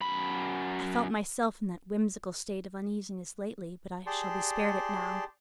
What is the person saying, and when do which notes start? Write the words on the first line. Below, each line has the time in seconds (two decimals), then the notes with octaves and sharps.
I felt myself in that whimsical state of uneasiness lately; but I shall be spared it now.
0.01 F#2 B5
4.06 G4 G#4 D5 A5 C6